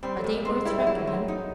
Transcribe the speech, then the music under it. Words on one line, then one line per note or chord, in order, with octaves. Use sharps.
Are they worth reckoning?
G3 C4
A3
A#2
G#3
G#3 C4
G3 E4
F#3
E4
F#3
C4
F#3
D#4